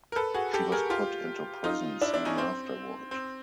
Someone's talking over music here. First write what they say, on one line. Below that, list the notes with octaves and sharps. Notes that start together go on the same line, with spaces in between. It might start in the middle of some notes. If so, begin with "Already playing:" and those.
She was put into prison soon afterward.
A#4
A4 B4
F#4 G#4
G4 A4
G#4 A#4
F4 G4
D#4 F4
D4 E4
D4 E4
C#4 D#4
C4
C4